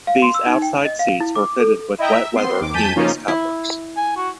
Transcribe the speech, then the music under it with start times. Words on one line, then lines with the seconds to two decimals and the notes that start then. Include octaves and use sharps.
These outside seats were fitted with wet-weather canvas covers.
0.07 F5
0.22 C6
0.34 E6
0.46 D#4
0.62 G5
0.85 D#5
0.99 F5
1.20 E4
1.36 D6
1.60 A4
1.98 E4 D#5 E5 G5 A#5
2.14 E5
2.33 B3 C4 C6
2.61 D#2 D6
2.74 F2 G#5 A5 G6 B6 D#7
2.96 C#3 F3 A#3 C#4 D#4 F4
3.28 E4
3.97 G#5
4.17 F#4